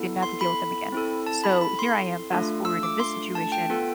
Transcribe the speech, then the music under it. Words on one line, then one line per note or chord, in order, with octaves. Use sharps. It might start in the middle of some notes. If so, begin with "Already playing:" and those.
didn't have to deal with him again. So here I am fast forward in this situation.
Already playing: B3 E4 A4
C6
B5
C4 E4 A4
A5
B5
B5
C6
A3 D4 F4 A4
E6
D6
C6
A5
G5
B3 F4 A4